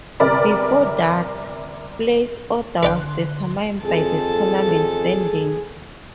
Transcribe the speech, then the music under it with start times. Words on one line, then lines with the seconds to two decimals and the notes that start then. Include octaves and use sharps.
Before that, place order was determined by the tournament standings.
0.20 G1 C3 A#4 D5 B5
2.83 D3 B4 D5 G5 C6 F#6
3.84 F2 G#4 A4 A5